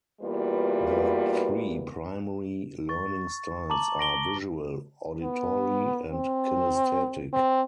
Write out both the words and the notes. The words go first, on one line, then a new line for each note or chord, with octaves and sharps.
The three primary learning styles are visual, auditory, and kinesthetic.
E2 G3 A#3 F4 F#4 B4
C#6 A6
A5 A#5 D6 F#7
A#6 D7 G7
B3
C4
C4